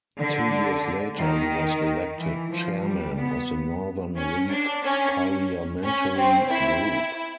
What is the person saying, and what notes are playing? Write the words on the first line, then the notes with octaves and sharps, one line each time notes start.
Two years later, he was elected Chairman of the Northern League Parliamentary Group.
D3
D#3
E3
F3
G3
B3
C#4
D4
C#4
C#4
C4
E4
E4